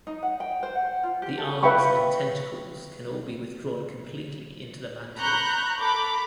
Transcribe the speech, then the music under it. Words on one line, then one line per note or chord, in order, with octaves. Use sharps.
The arms and tentacles can all be withdrawn completely into the mantle.
D#4
F#5
G5
C5
F#5
F4
G4
A4
B4 E5 F5 G5 B5 C#6
A#5 B5 C#6 F#6 G6
A4 A#5 B5 D6